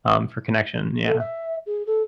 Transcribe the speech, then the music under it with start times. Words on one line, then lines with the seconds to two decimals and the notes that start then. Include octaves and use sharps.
um, for connection, yeah.
1.06 A4
1.19 E5
1.66 G#4
1.86 A4